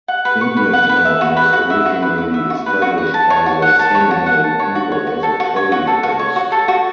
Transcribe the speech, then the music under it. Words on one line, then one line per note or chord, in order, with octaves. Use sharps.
Indiantown was originally established by the Seminole people as a trading post.
F#5
B4
C#6
B4
F#5
B4
E5
F#4
B4
F#4
E5
F#4
B4
F#4
E5
F#4
B4
F#4
F#5
A5
C#5
F#4
F#5
A5
C#5
F#4
F#5
A5
C#5
F#4
C#5
F#4
A4
F#4
C#5
F#4
A4
F#4
C#5
F#4
A4
F#4